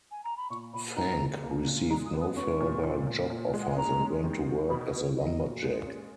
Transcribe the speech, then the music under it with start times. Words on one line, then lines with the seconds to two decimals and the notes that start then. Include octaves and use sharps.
Fanck received no further job offers and went to work as a lumberjack.
0.11 G#5
0.24 A#5
0.37 B5
0.50 A#2 C#6
0.73 A#2 B5
0.96 D#4 A#5
1.20 E3
1.43 A#3
1.67 A#2
1.90 G#3 A#5
2.06 D#6
2.13 B3
2.21 D#6
2.36 C#4 C#6
2.60 A#2
2.83 A#2
3.07 A#2
3.30 A#2
3.54 G#3
3.62 F#5
3.70 G#5
3.77 C#4 A#5
4.00 G#3
4.24 D#3
4.47 F#4
4.69 B2 B5
4.86 D#5
4.93 F#4 B4
5.02 C#5
5.17 F#3 D#5
5.40 A#2
5.64 G#3
5.87 C#4